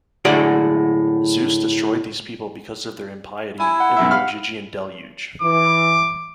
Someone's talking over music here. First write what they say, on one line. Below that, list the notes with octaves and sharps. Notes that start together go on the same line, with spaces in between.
Zeus destroyed these people because of their impiety, in the Ogygian Deluge.
A2 D3 G#3 F#4 D5
E4 G#5
F#5
B1 F#2 E5
F5 B5 F6
E3 D6